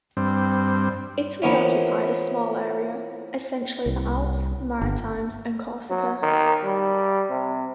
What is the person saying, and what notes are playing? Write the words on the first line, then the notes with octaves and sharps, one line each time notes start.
Italy occupied a small area, essentially the Alpes-Maritimes, and Corsica.
G2 C4
E3 F3 A#3 B3 C#4 E4
C2
G1
F#3
D#3
G3
C3